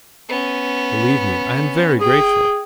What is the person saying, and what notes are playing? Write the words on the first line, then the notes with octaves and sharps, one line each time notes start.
Believe me, I am very grateful.
B3 C#4
G#4 G5